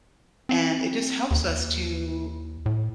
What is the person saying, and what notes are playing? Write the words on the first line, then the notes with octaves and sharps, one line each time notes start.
and it just helps us to
C4
D#2
A2